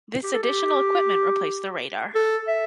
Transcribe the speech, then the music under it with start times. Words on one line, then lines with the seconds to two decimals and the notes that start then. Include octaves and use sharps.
This additional equipment replaced the radar.
0.23 G4
0.33 A4
0.43 G4
2.15 A4
2.48 E5